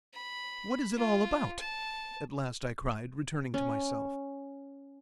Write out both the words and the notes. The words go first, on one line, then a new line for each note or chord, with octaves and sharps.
"What is it all about?" at last I cried, returning to myself.
B5
F4
A5
C#4